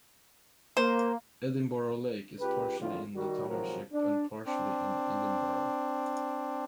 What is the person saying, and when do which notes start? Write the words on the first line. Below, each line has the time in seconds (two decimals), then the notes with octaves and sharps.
Edinboro Lake is partially in the township and partially in Edinboro.
0.77 A#3 C5
2.40 C#2 G4 B4
2.79 G#1 F2 A2 D3 F3 F4
3.15 D#3 G3 F#4
3.48 G#1 C3 F3 F#3 A#4
3.92 D4
4.46 C4 D4